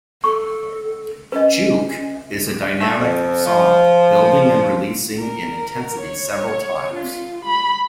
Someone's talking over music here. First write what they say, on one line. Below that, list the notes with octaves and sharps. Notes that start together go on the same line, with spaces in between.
"Juke" is a dynamic song, building and releasing in intensity several times.
A4 C#6
C#4 B4 D#5
A3
F2
F3
A#4
C#5
F4
B5